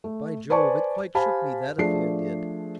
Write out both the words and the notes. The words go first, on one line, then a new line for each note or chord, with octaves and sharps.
By Jove! it quite shook me, that affair did.
A3
B4 C5 D5 G#5 A5 C#6
G4 C5 F5 G#5 A5 B5
F3 A3 D4 G#4 D5 C7